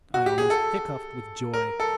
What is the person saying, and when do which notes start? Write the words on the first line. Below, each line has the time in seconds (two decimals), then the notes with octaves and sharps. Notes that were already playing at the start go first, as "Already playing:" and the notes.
I almost hiccoughed with joy.
0.14 F#4
0.26 G4
0.38 G#4
0.50 A4
1.54 A#4
1.80 A4